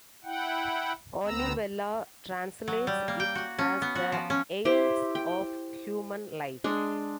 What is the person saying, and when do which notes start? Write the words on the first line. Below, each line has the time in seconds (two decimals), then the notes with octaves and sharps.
Olivelle translates it as the "aims of human life".
0.24 E4 F#5 G5
1.25 D2 B3 C4 A#5 E6
2.68 F#3
2.87 G3
3.08 A#3
3.20 G5
3.35 F#4
3.59 C#4
3.82 B3
3.95 F#4
4.12 F3
4.30 C#4
4.65 E4 G4 C5
5.15 G5
6.64 G#3 D4